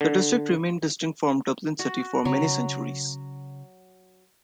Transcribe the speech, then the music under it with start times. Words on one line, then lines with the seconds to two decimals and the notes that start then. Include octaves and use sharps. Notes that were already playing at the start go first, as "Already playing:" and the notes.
The district remained distinct from Dublin city for many centuries.
0.01 D3
1.79 F#4
2.25 C#3 F#3